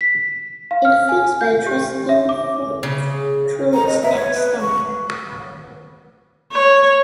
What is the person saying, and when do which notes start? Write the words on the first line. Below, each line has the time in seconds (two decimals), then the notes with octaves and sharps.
It feeds by thrusting food through its neck stump.
0.01 B6
0.71 F5
0.85 F6
1.09 G#5
1.41 G6
1.67 G4
2.09 E5
2.29 D6
2.83 C#3
3.74 A#5
3.87 D#5
4.02 E5
4.16 C#5
4.34 B4
4.61 C#6
6.52 C#5